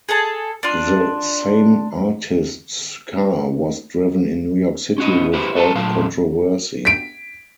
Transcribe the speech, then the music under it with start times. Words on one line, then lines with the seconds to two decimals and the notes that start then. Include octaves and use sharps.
The same artist's car was driven in New York City without controversy.
0.09 G#4 A4 A5
0.63 D4 F4
4.98 C#4 F#4 D#5
5.33 E4 F#4 G4 B4 C5
5.55 F#4 A4 B4 E5 A5
5.75 D2 A#2 F#3 F5 A5
6.85 B6 D7